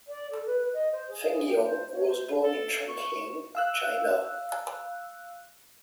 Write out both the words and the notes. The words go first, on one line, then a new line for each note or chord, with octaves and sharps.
Feng Yun was born in Chong Qing, China.
D5
A4
B4
B4
D#5
C5
G#4
G#4
G4
C5
C#5
C5
A4
C#6
F5 E6 F#6